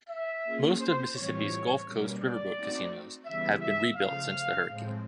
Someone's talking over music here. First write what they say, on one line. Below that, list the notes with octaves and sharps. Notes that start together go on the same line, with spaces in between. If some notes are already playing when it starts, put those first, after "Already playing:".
Most of Mississippi's Gulf Coast riverboat casinos have been rebuilt since the hurricane.
E5
A#3 C#4 F4 G#4
C5
A2 E3 G3 C4 F4 C#5
B2 G3 A#3 C#4
D5
A3 C4 D#4 F#4
C#3 E3 G3 B3 E5
E5
C#3 F3 A3 F5
A2 F3 G#3 C4